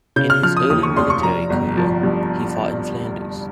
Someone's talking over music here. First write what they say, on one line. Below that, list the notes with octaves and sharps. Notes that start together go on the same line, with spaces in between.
In his early military career, he fought in Flanders.
C#3 G6
F6
F3 F6
D#6
D#2 D#6
C#6
F1 C6
C#6
F3 A#5
G1
F3
G2